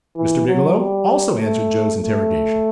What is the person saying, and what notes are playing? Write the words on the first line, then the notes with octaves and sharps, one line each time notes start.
Mr. Biggielow also answered Joe's interrogation.
E3
F#3
G3
A3
A3